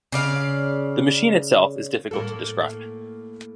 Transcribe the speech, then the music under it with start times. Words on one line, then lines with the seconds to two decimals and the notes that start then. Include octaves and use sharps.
The machine itself is difficult to describe.
0.12 C#3 D5 F5
2.11 A2 A#3 A4